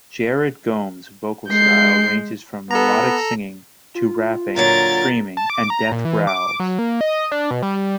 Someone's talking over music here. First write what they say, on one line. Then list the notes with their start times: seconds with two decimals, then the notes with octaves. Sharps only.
Jared Gomes' vocal style ranges from melodic singing to rapping, screaming, and death growls.
1.49 G#3 G6 C7
2.71 B3 A4 A#5
3.95 F4
4.56 A#2 D3 F#3 A#4 A6
5.37 A5
5.50 D6
5.70 A#5
5.92 A#2
6.05 E3
6.27 D6
6.60 F#3
6.79 A#3
7.01 D#5
7.32 D4
7.51 B2
7.63 G3